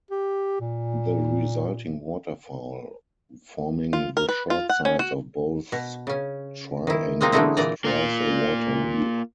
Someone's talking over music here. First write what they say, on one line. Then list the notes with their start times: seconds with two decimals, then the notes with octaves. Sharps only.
The resulting waterfall, forming the short sides of both triangles, drives a water wheel.
0.11 G4
0.60 A#2
3.93 F4
4.17 A#4
4.29 B4
4.50 F4
4.69 F#5
4.85 C#4
4.99 F#4
5.72 B2
6.07 C#3 C#4
6.87 D#3 E4
7.21 G#3 A#3 C4 D#4 F4
7.32 D3 E3 G#3 A3 D#4 E4
7.57 A#2 E3 D5 A#5
7.85 A#3 F4